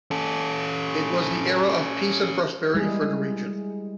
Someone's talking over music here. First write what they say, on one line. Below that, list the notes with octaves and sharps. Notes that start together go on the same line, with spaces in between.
It was the era of peace and prosperity for the region.
C#4 A4
G3 G#3 E4 G#4